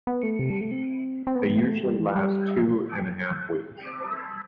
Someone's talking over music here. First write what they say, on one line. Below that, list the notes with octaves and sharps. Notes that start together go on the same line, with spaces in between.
They usually last two and a half weeks.
B3
A3
C3
G3
A3
C4
C4
B3
A3
G3
E3
F3
G3
F3